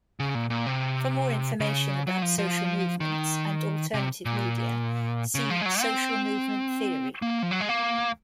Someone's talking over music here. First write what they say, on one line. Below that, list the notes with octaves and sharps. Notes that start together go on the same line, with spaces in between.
For more information about social movements, and alternative media, see Social movement theory.
C#3
A#2
A#2
C3
C#3
F#3
F3
F3
D#3
C3
A#2
C#3
F3
G#3
F#3
C4
A#3
F3
F#3
G#3
A#3